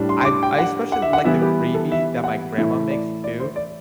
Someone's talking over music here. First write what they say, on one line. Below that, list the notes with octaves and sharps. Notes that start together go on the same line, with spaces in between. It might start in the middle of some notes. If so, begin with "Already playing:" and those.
I've I especially like the gravy that my grandma makes too.
Already playing: A2 G3 D4
C6
C6
D6
G5
F#5
F#5
E5
F#5
E3 G3 B3 E4 E5
G4
A4
E5
F#5
A2 E3 A3 E4 E5
D5
D5
C5
D5